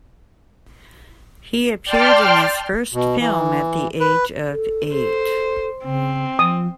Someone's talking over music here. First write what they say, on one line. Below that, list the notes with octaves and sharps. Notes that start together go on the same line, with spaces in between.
He appeared in his first film at the age of eight.
D5 G5 A5 C6 F6
B2
E3
B4
A4
C5
C#3 C4
F3 D#6